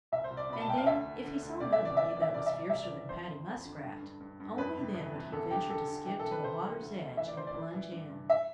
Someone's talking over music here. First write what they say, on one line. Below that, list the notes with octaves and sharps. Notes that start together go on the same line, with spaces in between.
And then--if he saw nobody that was fiercer than Paddy Muskrat--only then would he venture to skip to the water's edge and plunge in.
C2 E5
C5
C2
D5
B2 B5
A5
C2 G5
F5
D2 E5
D3
D3
D2
C3 D5
E5
E3
D5
E3 E5
D5
E3 E5
C2 D5
E5
C2 D5
C2 E5
D5
E3
F2 C5
F2
F2
D3
G2
G2
G2
G2
F2 B4
C3
E3
C3
E2 A4
D3 G4
D3 A4
D3
E3 G4
A4
C3
B4
C2 C5
E3
D2
D2
E3 E5
D5
E3 C5
D5
E3
E3
G2
G2
E5